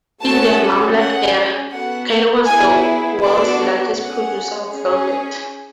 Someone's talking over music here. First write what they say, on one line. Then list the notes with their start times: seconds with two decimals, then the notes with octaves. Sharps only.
In the Mamluk era, Cairo was the world's largest producer of velvet.
0.22 A3 C#4 F#4 A4 A5
0.97 C#4 G#4 F#5
1.72 B3 F#4 A4 F#5
2.46 B3 E4 G#4 G#5
3.21 B3 D4 F#4 A4 D5
3.96 C#4 G#4 F#5
4.71 C#4 G#4